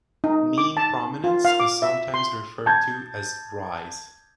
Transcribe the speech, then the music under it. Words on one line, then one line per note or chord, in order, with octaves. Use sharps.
"Mean" prominence is sometimes referred to as "rise".
D#4
D6
A5
F4
F5
D6
E5
C6
A5 G6 G#6